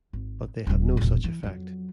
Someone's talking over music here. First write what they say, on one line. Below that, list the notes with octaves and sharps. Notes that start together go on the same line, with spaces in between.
But they have no such effect.
G#1
D#1 F#3
E1 A#1
E3
F2 F#3